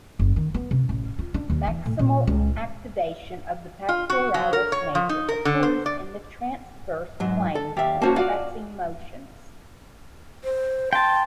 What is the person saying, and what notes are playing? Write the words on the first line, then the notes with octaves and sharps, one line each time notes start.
Maximal activation of the pectoralis major occurs in the transverse plane through pressing motions.
F#1
D#3
B3
C3
A1
F4
D4
D#2
E3
A2
A#2
C#2
F4
F#4
F#3
A#4
C#5
F3
D#4
A#4
D3
C5
D5
G#2 F#3
A4
D#2 G4 D5 E5 F5
A#3 C#4 F#4 C5 A5
F4 F#4 D5 F5 F#5
C5
G5 A5 C6